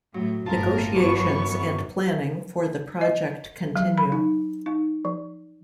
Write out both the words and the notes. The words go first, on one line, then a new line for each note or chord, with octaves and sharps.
Negotiations and planning for the project continue.
A2 F#3
G1 A2 F4 A#4 A5
G1 F#2 E3 B3 C#5 C#6
D#5
F#3
B5
D#4
D#4
F3